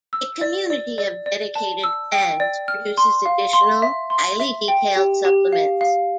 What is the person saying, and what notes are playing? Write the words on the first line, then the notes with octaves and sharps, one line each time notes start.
A community of dedicated fans produces additional highly-detailed supplements.
E6
D5
D5
D5
D5
A5
E6
G5
D5
F6
C6
F5
C6
E5
C6
E5
G5
G4
G4
F5
F5